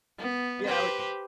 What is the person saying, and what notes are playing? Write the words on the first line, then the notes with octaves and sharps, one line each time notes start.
Yeah, we
B3
G4 B4 C5